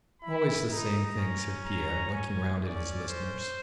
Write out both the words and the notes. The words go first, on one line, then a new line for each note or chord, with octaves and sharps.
"Always the same thing," said Pierre, looking round at his listeners.
E4 B5
D#4 A#5
C#4
A#5
G#5
C#4 D5
C5